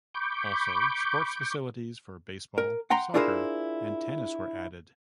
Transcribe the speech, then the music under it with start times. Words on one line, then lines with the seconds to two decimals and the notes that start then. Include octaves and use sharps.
Also, sports facilities for baseball, soccer, and tennis were added.
0.14 B5 C#6 D6 G6
2.58 A#4
2.90 F#5 G5 A#5 C6
3.14 D4 E4 F4 G#4 A#4 C5